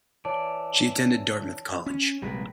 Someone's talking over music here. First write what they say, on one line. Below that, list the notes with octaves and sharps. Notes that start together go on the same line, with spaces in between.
She attended Dartmouth College.
E3 C#5 D5 A5
C#4
A#1 C3 G3 G#3 A#4 B4